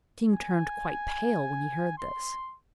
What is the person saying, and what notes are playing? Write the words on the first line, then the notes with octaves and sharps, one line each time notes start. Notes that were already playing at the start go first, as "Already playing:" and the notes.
The king turned quite pale when he heard this.
G#5
C6